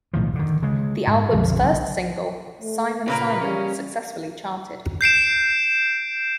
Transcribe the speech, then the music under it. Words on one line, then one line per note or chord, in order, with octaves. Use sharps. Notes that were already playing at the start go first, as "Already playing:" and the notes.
The album's first single, "Simon Simon", successfully charted.
B1 A2 D#3 F3
D3 D#3
C#3 G#3
G#2
B1 F2 D3 F3
F#1 B1
A3
A#2 C#3 A#3 A#4 B4
G3 C#4
G6 C7 D7 E7